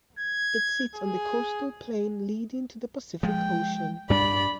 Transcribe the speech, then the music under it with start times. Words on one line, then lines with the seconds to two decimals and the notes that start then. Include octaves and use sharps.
It sits on the coastal plain leading to the Pacific Ocean.
0.19 G#6
0.95 G#4
3.23 F3 G#3 G5
4.10 G2 G3 D4 D5 B5